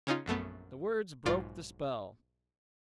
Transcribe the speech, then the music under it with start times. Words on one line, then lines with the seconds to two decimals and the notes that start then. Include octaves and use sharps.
The words broke the spell.
0.07 C#3 C#4 D#4 F4
0.26 A#1 F#2 A3 B3
1.25 B1 G#2 F4 D5